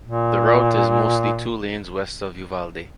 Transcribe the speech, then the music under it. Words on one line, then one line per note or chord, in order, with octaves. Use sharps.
The route is mostly two lanes west of Uvalde.
A#2